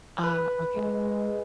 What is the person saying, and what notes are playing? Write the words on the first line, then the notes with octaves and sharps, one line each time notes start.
Ah, okay.
B4
G#3